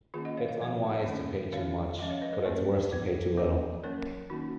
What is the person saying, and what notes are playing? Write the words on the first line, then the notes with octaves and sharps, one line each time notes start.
It's unwise to pay too much, but it's worse to pay too little.
D#3 A#3 C#4 F4 G#4
D#5 F#5
C#5 F5
C#5 F5
F3 B3
D#3 A#3 C#4
D#3 G#3 C#4 C#5 F5
F3 G#3 C#4 D#5 F#5
C#5 F5
B4 D#5
A#4 C#5
F#3 A#3 C#4
F3 B3
F3 A#3 C#4 B4 D#5
F#3 A#3 C#4 A#4 C#5
D#3 A#3 C#4 D#4 F#4